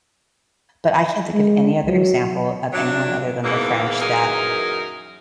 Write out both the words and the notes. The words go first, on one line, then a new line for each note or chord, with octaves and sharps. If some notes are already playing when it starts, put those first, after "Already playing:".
but I can't think of any other example of anyone other than the French that
G#3
F#3
F#3 D4
E2 G#2 E3 A#3
F#2 E3 D#4 G#4 A#4